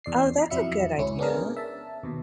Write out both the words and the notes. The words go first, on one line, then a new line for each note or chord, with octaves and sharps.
Oh, that's a good idea.
E2 D5 C7
F2 F#3 E4 E5 C#7
C#2 C#4 E4
B3 C#4 D4 G#4 A#4
E5 A5
D#2 B2